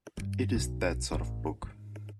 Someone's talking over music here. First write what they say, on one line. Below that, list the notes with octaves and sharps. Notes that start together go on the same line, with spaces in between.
"It is that sort of book.".
G2
B1
A1
G#2